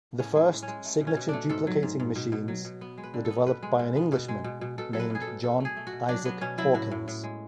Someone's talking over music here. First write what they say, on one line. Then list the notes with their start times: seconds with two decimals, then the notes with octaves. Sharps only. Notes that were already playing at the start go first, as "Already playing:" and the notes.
The first signature duplicating machines were developed by an Englishman named John Isaac Hawkins.
0.19 A2 C#4
0.35 G#3
0.52 A2
0.62 C#4
0.68 G#3
0.85 A3
1.01 B2
1.07 C#4
1.17 B2
1.29 A3 D4
1.49 G#2 A4
1.67 F#3
1.83 G#2
2.00 G#2
2.16 B2
2.32 B2
2.48 F#3
2.65 B2
2.81 B3
2.98 G#3
3.04 B4
3.14 D3
3.25 A4
3.30 B3
3.47 B2 B4
3.63 G#3
3.79 B2
3.96 B3
4.12 B2
4.28 G#3
4.44 B2
4.61 B2
4.78 B2 A4
4.93 F#3 A4
5.00 B4
5.10 B2 G#4
5.22 A4
5.27 B2
5.43 B2 A4
5.60 A3 G#4
5.77 A3
5.87 F#4
5.93 B2
6.08 F#3 D4
6.25 F#3 B3
6.41 B2 C#4
6.58 F#3 E4
6.74 A2 F#4
6.91 A2
7.08 A2
7.23 G#3